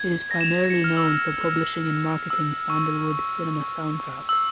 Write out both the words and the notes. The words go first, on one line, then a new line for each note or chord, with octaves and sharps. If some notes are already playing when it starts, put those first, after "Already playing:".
It is primarily known for publishing and marketing Sandalwood cinema sound tracks.
Already playing: G#6
A#6
E7
F7
E7
C#7
F6
E6
E6
E6
C#6
E6